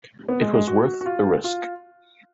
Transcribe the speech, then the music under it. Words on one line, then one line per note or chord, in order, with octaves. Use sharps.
It was worth the risk.
B3
G#3
G#3
F#4
F#4
F4
F4